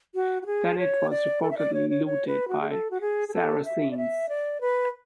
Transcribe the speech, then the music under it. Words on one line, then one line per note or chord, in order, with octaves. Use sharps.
Then it was reportedly looted by Saracens.
F#4
F#4
G#4
C#5
D5
A4
E5
D5
C#5
C#5
C#5
B4
F#4
G#4
A4
F#4
G#4
G#4
A4
E5
D5
E5
D5
B4